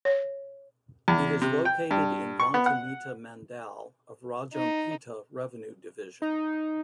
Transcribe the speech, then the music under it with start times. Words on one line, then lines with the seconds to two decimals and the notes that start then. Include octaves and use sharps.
It is located in Vontimitta mandal of Rajampeta revenue division.
0.05 C#5
1.08 E2
1.41 C3
1.65 G5
1.91 G2
2.40 C#6
2.54 B3
2.66 F#5
4.54 D#4
6.22 D#4